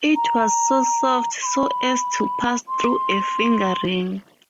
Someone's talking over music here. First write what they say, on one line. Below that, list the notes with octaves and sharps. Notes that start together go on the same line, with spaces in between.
It was so soft so as to pass through a finger ring.
A#5
C6
B5
C6